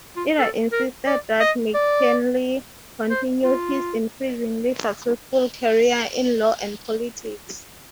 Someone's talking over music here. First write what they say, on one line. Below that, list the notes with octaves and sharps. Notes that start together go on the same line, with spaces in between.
Ida insisted that McKinley continue his increasingly successful career in law and politics.
F4
A4
A#4
D5
D#5
D5
C5
F4